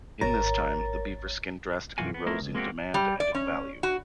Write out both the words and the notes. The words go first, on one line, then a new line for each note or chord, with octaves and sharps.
In this time, the beaver skin drastically rose in demand and in value.
G#1 A#4 C#5 A#5 A6
B1 F#2 E3 F4 F#4 G#5
B3
A3 B3 E4 A#4 C5
C#2
G#3 A#3 C4 F#4 G4
G3
D5
C#4
F#4